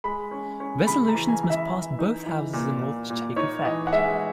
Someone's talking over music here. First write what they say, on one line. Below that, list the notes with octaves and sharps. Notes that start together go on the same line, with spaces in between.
Resolutions must pass both houses in order to take effect.
G#3 B5
C#4
C#4
C#3 B5
A#5
E3
G#5
E3
E5
E3
D#4
E3
A#2
A#2
A#2
D#4 C#5
E3 D#5
F#5
G#3 E5